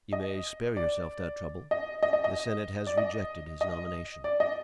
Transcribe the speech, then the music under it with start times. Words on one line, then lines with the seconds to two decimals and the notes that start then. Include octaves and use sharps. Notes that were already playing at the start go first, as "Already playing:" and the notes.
"You may spare yourself that trouble; the senate has rejected his nomination."
0.13 D#5
0.77 D5
1.71 D#5
2.03 D#5
2.13 D#5
2.24 D#5
2.87 D5
2.97 D#5
3.61 D#5
4.24 D5
4.40 D#5